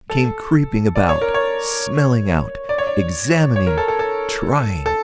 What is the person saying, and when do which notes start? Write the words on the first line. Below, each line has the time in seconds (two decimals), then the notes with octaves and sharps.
He came creeping about, smelling out, examining, trying!
0.10 A4
0.96 D5
1.09 C#5
1.21 A#4
1.34 C#5
2.69 D5
2.78 C#5
2.87 D5
3.56 C#5
3.67 A#4
3.78 A4
3.88 A4
3.99 A4
4.86 A4